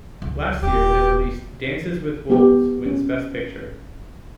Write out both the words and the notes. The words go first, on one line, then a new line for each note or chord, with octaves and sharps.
Last year, they released "Dances with Wolves" wins Best Picture.
C#2
D#1 G4
B3 G4
C#4